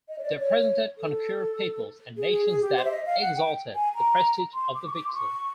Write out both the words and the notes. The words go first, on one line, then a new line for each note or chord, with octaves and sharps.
They presented conquered peoples and nations that exalted the prestige of the victor.
D#5
C#5
D5
C#5
A4
G#4
G#4
G#4
G4
C5
E5
D#5
F5
F#5
G5
G#5
A#5
C6
D6
C#6
D6
C6
C#6